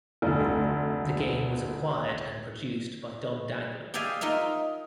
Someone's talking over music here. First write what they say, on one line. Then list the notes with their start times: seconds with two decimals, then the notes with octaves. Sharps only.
The game was acquired and produced by Don Daglow.
0.22 F1 D2
3.94 G4 G#4 D5 E5 F5 G#5
4.21 D#4 F4 A#4 E5